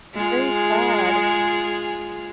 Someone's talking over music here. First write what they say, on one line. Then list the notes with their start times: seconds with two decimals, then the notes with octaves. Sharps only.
very sad.
0.14 G#3 F4 G#4